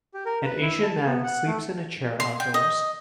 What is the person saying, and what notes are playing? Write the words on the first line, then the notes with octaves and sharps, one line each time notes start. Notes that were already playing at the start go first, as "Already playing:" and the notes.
An Asian man sleeps in a chair outdoors.
G4
A#4
B4
E4
A5
B3
F#5
A3
C6
G5
D#5